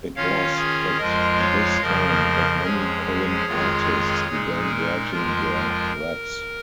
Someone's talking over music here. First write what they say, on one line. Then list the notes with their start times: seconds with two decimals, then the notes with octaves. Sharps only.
It was at this time that many current artists began writing their raps.
0.15 D#3 C#4 F4 C#5 F5
0.57 G#4 C#5
0.98 F2 F3 G#3 F4 A#4 D#5
1.39 C#5 F5
1.81 F2 C#3 F3 A#4 D#5
2.63 F2 F3 G#3 C#4 G#4 C#5
3.45 F2 D#3 G#3 F4
4.28 A#2 G#3 D#4 G#4
4.69 A#4
5.11 F2 F3 G#3 F4